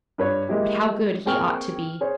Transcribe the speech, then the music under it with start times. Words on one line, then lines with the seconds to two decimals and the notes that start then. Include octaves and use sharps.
But how good he ought to be!'
0.18 G2 B4 C#5
0.49 G#3 A#3 E4 G4
1.25 A#3 C4 G#4 G5 C#6 F6
2.01 G#4 C5 C#5